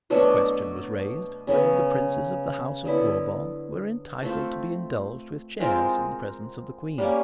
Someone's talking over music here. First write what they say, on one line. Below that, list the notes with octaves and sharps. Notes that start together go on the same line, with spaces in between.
A question was raised whether the Princes of the House of Bourbon were entitled to be indulged with chairs in the presence of the Queen.
B2 F#3 A3 D4
C#3 F#3 B3
D3 F#3 B3 E4
A3 C4 F4
G#3 C4 F4 A#4
G3 A#3 C#4